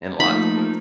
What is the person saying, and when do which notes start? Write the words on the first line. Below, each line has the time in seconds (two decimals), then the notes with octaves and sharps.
in lot states.
0.20 F3 A3 A#3 D#4 B5